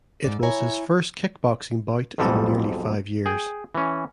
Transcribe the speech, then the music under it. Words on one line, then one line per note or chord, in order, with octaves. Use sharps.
It was his first kickboxing bout in nearly five years.
G#2 B2 D5
E4 C#5 G#5 A#5
B1 F2 G#2 G3 A4
G#4 G5
E3 C#4